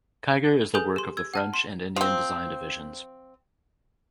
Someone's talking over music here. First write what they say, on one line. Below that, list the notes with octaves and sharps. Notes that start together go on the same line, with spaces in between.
Kiger is the work of the French and Indian design divisions.
G#4 A4 B4 G#5 D#6 G6
G4 C6
E6 G#6
F#5 A5 F6
C6
F3 C4